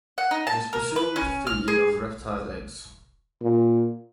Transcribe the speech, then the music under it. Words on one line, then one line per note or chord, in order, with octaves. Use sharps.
It is presumed to feed on reptile eggs.
F#5
D#4
A5
A#4
B4
C#4
F6
G#4
A#2